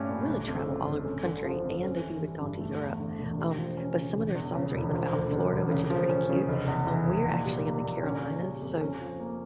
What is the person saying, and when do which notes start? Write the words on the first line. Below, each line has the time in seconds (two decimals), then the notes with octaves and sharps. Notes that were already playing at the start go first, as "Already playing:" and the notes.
really travel all over the country, and they've even gone to Europe, um, but some of their songs are even about Florida, which is pretty cute. Um, we're actually in the Carolinas, so,
Already playing: G2 A3 C#4 G4
0.09 A#2
0.28 G1
0.48 F2
0.67 C#3
0.86 G1
1.06 C#4
1.25 D3
1.44 F3
1.64 F2
1.83 C#4
2.02 E3
2.22 G3
2.41 G2
2.61 A3
2.80 E2
3.00 D3
3.19 E1
3.39 G4
3.58 F3
3.77 C#4
3.96 C#3
4.16 E1
4.35 E2
4.55 C#3
4.74 E1
4.93 F3
5.13 D2
5.32 D3
5.52 E1
5.71 C#3
5.90 F3
6.10 C#4
6.29 C#3
6.49 F1
6.67 E2
6.87 E3
7.07 F1
7.26 A#2
7.45 G3
7.64 A#3
7.84 A#2
8.03 C#4
8.23 C#3
8.42 G3
8.62 F2
8.81 C#4
9.01 F3
9.20 A#3